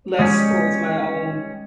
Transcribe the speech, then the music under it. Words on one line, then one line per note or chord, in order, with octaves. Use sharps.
less towards my own
G3 G#3 C#4